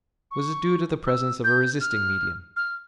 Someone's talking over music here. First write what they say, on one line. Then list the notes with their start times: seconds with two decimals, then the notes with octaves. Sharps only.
Was it due to the presence of a resisting medium?
0.31 C#6
1.06 E6
1.44 G6
1.81 F6
2.56 F6